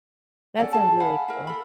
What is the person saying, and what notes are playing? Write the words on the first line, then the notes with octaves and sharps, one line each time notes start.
that sounds really cool.
C#4 A4 D5 F#5
G#4 A4 A5
F5 F#5 G#5 B5
E4 A#4
A4 B5